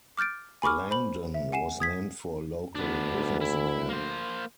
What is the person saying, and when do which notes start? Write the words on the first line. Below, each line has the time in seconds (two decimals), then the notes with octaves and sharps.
Langdon was named for a local businessman.
0.17 D6 F6 G6 A6 D7
0.62 G#5 B5 C#6 D6 F6
0.91 C5 B5 F#7
1.34 E5
1.52 F#5 G#5 C7 E7
1.80 D#6 G#6 B6
2.75 D2 B3 D4
3.41 E4
3.89 A#3 C5